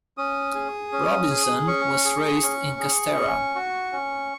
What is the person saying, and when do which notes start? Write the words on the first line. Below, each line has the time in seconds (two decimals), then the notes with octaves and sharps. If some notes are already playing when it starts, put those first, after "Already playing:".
Robinson was raised in Castara.
0.17 C#4 D#6
0.55 G#4
0.92 C#4
1.30 G#4
1.67 C#4 C#6
2.05 G#4
2.43 C#4
2.79 G#4
3.17 C#4
3.55 F#4
3.92 C#4